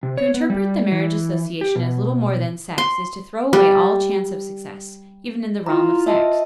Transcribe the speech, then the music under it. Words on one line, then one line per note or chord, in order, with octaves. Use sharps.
To interpret the marriage association as little more than sex is to throw away all chance of success, even in the realm of sex.
C3
C#5
B3
G3
E3
G4
B2
C6
G3
E4 F4 A#5
D#5 E5 A5